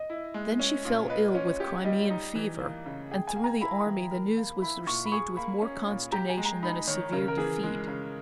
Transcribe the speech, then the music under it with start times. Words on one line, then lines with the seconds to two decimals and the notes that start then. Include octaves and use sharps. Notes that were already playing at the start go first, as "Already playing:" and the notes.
Then she fell ill with Crimean fever, and through the army the news was received with more consternation than a severe defeat.
Already playing: D#5
0.10 E4
0.34 G#3
0.60 C#4
0.85 A#2
1.10 B4 D#5
1.34 C#4 C#5
1.60 G4 C#5
1.85 G3 D#5
2.10 D#4
2.35 E3
2.60 A#3
2.86 C#3
3.11 G#4 G5
3.28 G#5
3.36 A#3
3.44 A#5
3.61 E4 B5
3.86 E3
4.11 A#4
4.37 A#3
4.62 E4 B5
4.87 A#2 C#6
5.06 B5
5.12 G#4 C#6
5.37 A#3 B5
5.62 C#4
5.87 A#2
6.12 G4 A#5
6.29 G#5
6.38 G#3
6.45 A#5
6.63 D#4 B5
6.87 D#3 C#5
7.13 C#3 A#4
7.28 A#4
7.38 E3 G#4
7.63 G#3
7.88 C#3